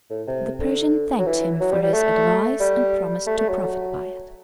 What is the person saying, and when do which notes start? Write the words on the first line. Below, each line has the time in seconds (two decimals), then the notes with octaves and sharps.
The Persian thanked him for his advice, and promised to profit by it.
0.10 A2
0.27 C3
0.60 D3
1.19 F#3
1.27 E3
1.60 F#3
1.71 G3
1.83 G3
1.94 A3
2.60 G3
3.27 A3
3.38 A3
3.49 F#3